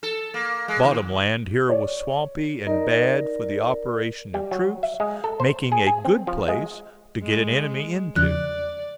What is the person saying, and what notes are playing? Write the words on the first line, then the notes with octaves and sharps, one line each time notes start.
The bottom land here was swampy and bad for the operations of troops, making a good place to get an enemy into.
A4
A#3
G#3
D#2
C#5 D5
D#4 A#4 D5
G3
F#3
E5
G#3
A4
C5
G#4
G#4
C4
F3
G#3
G#3
E2 C#3 F3 D5 F#6